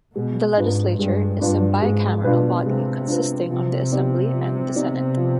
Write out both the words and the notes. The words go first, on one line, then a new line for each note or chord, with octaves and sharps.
The Legislature is a bicameral body consisting of the Assembly and the Senate.
B2 G#3
G#2 D4 F4 B4
G2 G#3
G2 D4 F4 B4
G#2 G#3
B2 D4 F4 B4
C3 G#3
D4 F4 B4
C3 F3
B3 D#4 G4 D5
F3
B3 D#4 G4 D5
F3